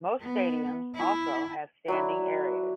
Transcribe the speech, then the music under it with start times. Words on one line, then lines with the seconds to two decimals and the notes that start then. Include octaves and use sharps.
Most stadiums also have standing areas.
0.21 B3
0.95 E4
1.88 F#3 D4 E4